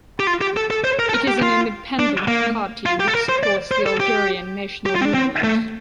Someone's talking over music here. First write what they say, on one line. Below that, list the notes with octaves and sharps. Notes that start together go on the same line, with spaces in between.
It is an independent party which supports the Algerian national movement.
G4
F4
G4
A4
A4
C5
A#4
A4
A#4
G4
F4
D4
A#3
F4
G4
A4
A#4
C5
D5
C5
A4
G4
G4
F4
C4
D4
C4
A3